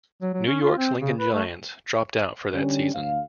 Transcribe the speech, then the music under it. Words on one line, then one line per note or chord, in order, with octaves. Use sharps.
New York's Lincoln Giants dropped out for that season.
F#3
F#3
C#4
F4
C4
C#3
B4
A3
D3 G3 C#4
D2 F5